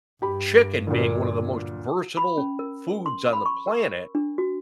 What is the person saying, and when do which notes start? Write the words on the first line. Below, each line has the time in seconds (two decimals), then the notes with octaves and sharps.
chicken being one of the most versatile foods on the planet,
0.22 G2 G4 B5
0.87 D2 A#2
2.17 B5
2.38 C#4
2.59 A#4
3.06 C6
3.33 B5
3.46 C#6
3.67 A#4
4.15 D4
4.38 F#4